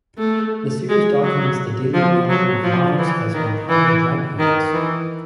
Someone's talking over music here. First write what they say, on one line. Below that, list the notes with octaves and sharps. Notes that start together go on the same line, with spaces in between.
The series documents the daily reality of lives as Manhattan drag queens.
A3
G#3
F#3
F3
F#3
F3
E3
D#3
E3
D#3
E3